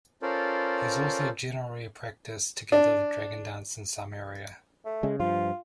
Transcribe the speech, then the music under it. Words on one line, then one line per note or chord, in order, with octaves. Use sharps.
It is also generally practised together with Dragon dance in some area.
C#4 F4 A4 A#4 C5 D5
D4
A3
C#3 G#3
G2 F3 F4